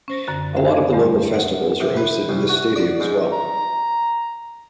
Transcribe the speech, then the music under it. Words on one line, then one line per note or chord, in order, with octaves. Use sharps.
A lot of the local festivals are hosted in this stadium as well.
C#4 C5 A#6
F#2 D3 A6
C5 E5 F5 G5
D5 G#6
E2 G2 G3 A3
F#5
C3
B4
C2
F#4
D5
G#2
A#5